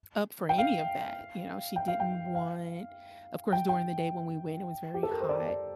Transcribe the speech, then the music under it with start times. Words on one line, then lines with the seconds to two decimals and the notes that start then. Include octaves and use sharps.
up for any of that, you know, she didn't want of course during the day when we went, it was very hot,
0.49 G5
0.58 F5
1.76 G5
1.88 F5
2.00 G5
2.35 F5
3.52 G5
3.69 G5
4.94 G4
5.03 A4
5.12 A#4
5.20 C5
5.29 D5
5.48 D5